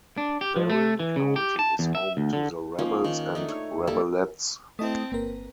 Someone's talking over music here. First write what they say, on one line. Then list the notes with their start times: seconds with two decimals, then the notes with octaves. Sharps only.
Berrien County is home to the Rebels and Rebelettes.
0.18 D4
0.41 G4
0.56 F3
0.70 A3
1.00 E3
1.16 C#3
1.36 G4
1.59 A5
1.79 E2
1.95 E5
2.17 D2
2.33 D3
2.79 F3 A#3 C#4 D#4
3.04 D#3
3.35 A3 D4 D#4
3.49 C#5
3.87 G3 A#3 A4
4.79 A3 C4 E4 D#5 A5 D#6
5.12 G1 A#3 A#4 B4